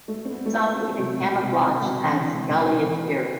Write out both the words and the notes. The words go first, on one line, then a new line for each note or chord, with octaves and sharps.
Some even camouflaged as "Gauleiter".
A3
C4
B3
A3
B3
C3
B2
C3
C3
B2
C3
E3
D3
C3
B2
C3
E3